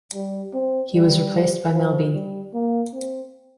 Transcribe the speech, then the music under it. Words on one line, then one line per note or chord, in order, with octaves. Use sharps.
He was replaced by Mel B.
G3
C4
G3
F3
G3
A#3
C4